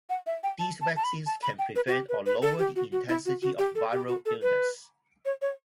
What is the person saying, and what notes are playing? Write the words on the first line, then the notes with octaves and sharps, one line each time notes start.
These vaccines can prevent or lower the intensity of viral illness.
F#5
E5
G5
A5
A5
A5
B5
A5
B5
G5
B4
F#4
G4
B4
B4
A4
G4
F#4
F#4
E4
F#4
F#4
G4
A4
G4
F#4
A4
B4
C#5
C#5